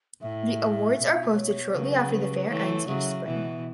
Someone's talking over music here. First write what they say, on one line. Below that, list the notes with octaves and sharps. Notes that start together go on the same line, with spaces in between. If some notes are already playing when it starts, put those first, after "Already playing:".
The awards are posted shortly after the fair ends each spring.
A2 E5
B2
C#5
C#3 F#3 B4
E3 A3 C#5
C#3 F#3 E5
B2 E3